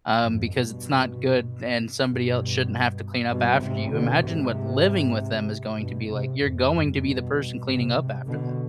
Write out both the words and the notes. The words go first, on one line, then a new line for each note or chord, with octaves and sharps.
um, because it's not good, and somebody el shouldn't have to clean up after you." Imagine what living with them is going to be like, you're going to be the person cleaning up after them.
F2 G#2
G2 B2
G2 B2
G2 B2
G#2 C3
B2 D3
G#2 C3
G2 B2
G#2 C3
F2 G#2
G2
G2 B2
G#2 C3
B2 D3